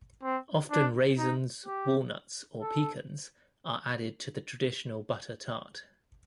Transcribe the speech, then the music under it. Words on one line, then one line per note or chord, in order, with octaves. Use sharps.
Often raisins, walnuts or pecans are added to the traditional butter tart.
C4
D4
D#4
G4
A4